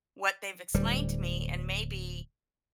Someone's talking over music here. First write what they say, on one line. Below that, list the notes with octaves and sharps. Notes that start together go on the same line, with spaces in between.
what they've explained to me, and maybe,
D1 G3